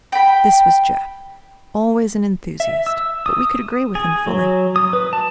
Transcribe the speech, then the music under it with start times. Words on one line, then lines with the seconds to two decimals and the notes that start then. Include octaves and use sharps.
This was Jeff, always an enthusiast; but we could agree with him fully.
0.12 G5 B5
2.60 E5
2.86 E6
3.26 D#6
3.95 G#4
4.26 F#3
4.76 D#6
4.93 B4
5.13 A5